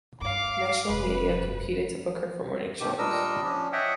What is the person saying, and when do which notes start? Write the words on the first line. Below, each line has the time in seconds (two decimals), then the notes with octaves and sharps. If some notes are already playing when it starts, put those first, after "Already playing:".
National media competed to book her for morning shows.
0.22 G2 F5 D6
0.89 F1 G2 B4
2.80 G2 B2 D#3 G4
2.99 A#2 G3 D4 A#4 D#5 E6
3.44 F3 C#4 D4
3.73 C#5 D#5 E5 F#5 G5